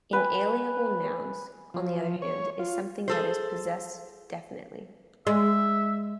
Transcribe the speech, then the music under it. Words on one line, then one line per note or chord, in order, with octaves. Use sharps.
Inalienable nouns, on the other hand, is something that is possessed definitely.
B4 G5 G#5
F3
C#5
F4
G#4 A4 C5
G#3 E5